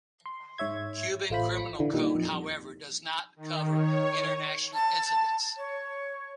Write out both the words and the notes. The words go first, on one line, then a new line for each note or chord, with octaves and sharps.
Cuban Criminal Code however does not cover international incidents.
C6
G#2 C#5 E5 G#6
A1 A3 F4 C5 B5
D3 E3
A#2 D#3 G3
F2
D#3
C#5
A5
C#5